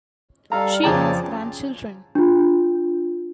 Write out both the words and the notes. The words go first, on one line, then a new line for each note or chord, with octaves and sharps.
She has grandchildren.
G3 A4 F5 A#5
F2 C#3 G#4 D5 G5 A5 A#5
D4 F4